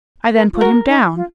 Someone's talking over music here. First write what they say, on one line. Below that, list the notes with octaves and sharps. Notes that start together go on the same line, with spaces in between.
I then put him down.
A#4
F4
F#4 A#4
D#4
F4